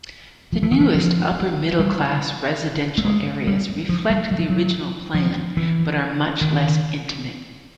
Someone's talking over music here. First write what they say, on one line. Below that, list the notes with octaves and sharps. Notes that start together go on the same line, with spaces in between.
The newest upper-middle-class residential areas reflect the original plan, but are much less intimate.
F3
E3
D#3
E3
F3
G3
A3
G#3
G3
F3
G3
F#3
F3
F#3
F3
E3
D#3